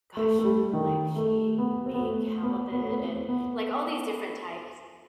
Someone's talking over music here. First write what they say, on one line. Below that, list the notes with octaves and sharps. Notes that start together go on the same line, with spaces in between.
gosh, like, she'd make halibut, and, like, all these different types.
A3
A3
G3
D#3
A3
B3
C4
B3
A3
B3
B3
A3
B3
C4
B3